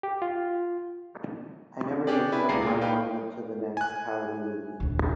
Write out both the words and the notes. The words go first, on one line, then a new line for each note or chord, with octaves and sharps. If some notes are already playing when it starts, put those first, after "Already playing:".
I never knew from one moment to the next how he would be.
G4
F4
C#4 D4 G4 G#4 D5
E4 B4
C#2 B3 G#4 D5 A#5 C7
A#2 A#3
D#4 B4 F5 G5
G#5 F#6
A#1 D#2